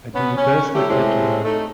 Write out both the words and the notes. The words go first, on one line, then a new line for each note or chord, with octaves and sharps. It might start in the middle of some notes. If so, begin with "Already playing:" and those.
I do the best I can to help.
B3 C#4
C#4
F#3 A3 C#4 E4 G4
G#3 A3 C4 C#4 E4 G4
A3 D#4